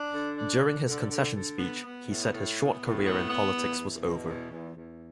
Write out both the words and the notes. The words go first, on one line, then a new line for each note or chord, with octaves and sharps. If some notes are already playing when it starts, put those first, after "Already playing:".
During his concession speech, he said his short career in politics was over.
Already playing: D4
D3
D4
D3
D3
D3
D3
B3
B3
A2
A2
B3
A2
B3
B3
E2
E2
B2
E2
E2
E2